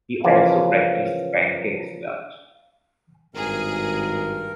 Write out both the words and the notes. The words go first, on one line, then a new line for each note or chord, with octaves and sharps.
He also practiced pencak silat.
C#3 E3 F3 A#3
G#1 G2 G#4 A#4